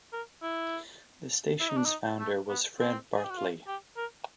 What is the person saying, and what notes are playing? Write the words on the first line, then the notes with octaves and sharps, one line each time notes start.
The station's founder was Fred Bartley.
A#4
E4
E4
D#4
D4
D#4
A3
B3
C4
G#4
G4
F#4
F4
G4
A#4